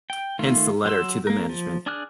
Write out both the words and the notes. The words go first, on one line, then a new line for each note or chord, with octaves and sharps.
Hence the letter to the management.
G5
D#3 A3 F4
F#3 C6 E6
A#3 A#4
F3
D4 G#4 D6 F6 F#6